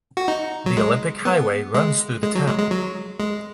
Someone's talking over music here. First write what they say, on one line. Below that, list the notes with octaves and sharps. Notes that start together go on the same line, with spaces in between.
The Olympic Highway runs though the town.
F#4
D#4
F#3
G#3
B3
G#3
G#3
F#3
G#3
G#3
F#3
G#3